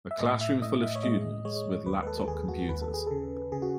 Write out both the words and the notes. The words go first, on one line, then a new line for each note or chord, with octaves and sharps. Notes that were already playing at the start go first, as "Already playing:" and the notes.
A classroom full of students with laptop computers.
E5
A2 D#5
E5
A2 D#5
E5
C#5
G#3 D#5
G#3 C#5
D#2 B4
B4
A4
A4
D#2 G#4
F#4
D#2 B4
A4
G#4
C#3 A4
C#3 G#4
F#4